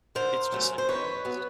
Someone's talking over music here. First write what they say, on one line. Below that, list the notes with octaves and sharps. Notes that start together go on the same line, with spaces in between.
it's just such a blast.
D3 A#4 C5
F#3 A3 C#4
C5
D#3 B4 C#5
F#3 B3